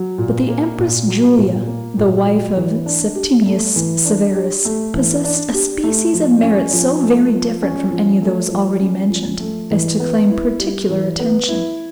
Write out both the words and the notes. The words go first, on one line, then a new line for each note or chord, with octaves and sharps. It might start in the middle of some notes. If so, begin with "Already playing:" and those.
But the empress Julia the wife of Septimius Severus, possessed a species of merit so very different from any of those already mentioned, as to claim particular attention.
Already playing: F#3
A#2
A#3
A#2
F#3
A#2
A#3
A#2
F#3
E3
D4
G4
A3
E3
D4
G4
A3
E3
D4
G4
A3
F3
C#4
F3
A3
F3
C#4
F3
A3
F3
C#4
F3
A3
E3
B3
E4
G3
E3
B3
E4